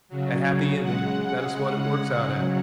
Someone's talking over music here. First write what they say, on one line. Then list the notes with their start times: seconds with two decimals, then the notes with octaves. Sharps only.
A happy ending, that is what it works out at.
0.09 C#3 F#3
0.82 C#3 G#3 F#5
1.55 C#3 G#3 F#5
2.29 C#3 F#3